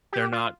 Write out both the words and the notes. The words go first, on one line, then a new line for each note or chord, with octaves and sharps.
They're not
G4
F4